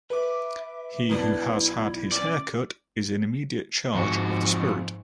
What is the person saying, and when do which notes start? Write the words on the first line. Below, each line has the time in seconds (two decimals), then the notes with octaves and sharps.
He who has had his hair cut is in immediate charge of the spirit.
0.10 B4 E5 D6
1.09 B1 B3 D4 E4
2.12 C#4 D5
3.94 F2 G#2 F#4